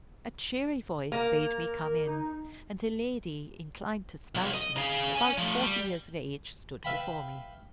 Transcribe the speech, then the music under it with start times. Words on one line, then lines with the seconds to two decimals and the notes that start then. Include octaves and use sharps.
A cheery voice bade me come in, and a lady, inclined to stoutness, about forty years of age, stood before me.
1.12 A#3 A#4
2.07 D#4
4.35 B1
4.54 D#5
4.77 G#4 F5
5.15 C#5 G#5
5.38 F3 A3
5.61 G3
6.84 B4 E5 F5 G5 B5